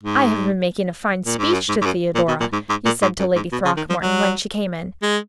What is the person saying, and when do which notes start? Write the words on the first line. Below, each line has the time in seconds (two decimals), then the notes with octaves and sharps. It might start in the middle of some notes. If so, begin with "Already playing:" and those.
"I have been making a fine speech to Theodora," he said to Lady Throckmorton, when she came in.
0.03 G#2
1.25 A#2
1.39 G#2
1.53 F#2
1.69 G#2
1.82 G#2
1.86 F#2
2.15 A#2
2.28 B2
2.40 A#2
2.53 G#2
2.69 G#2
2.86 A#2
3.02 G#2
3.19 F#2
3.36 G#2
3.52 B2
3.65 C#3
3.77 D#3
3.89 F3
4.02 F#3
5.02 G#3